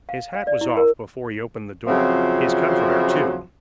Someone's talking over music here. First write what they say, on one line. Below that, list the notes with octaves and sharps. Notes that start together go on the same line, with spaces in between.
His hat was off before he opened the door; his comforter too.
F5
F5
D5
E4
A#4
F2 C#3 F3 F#3 C4 E5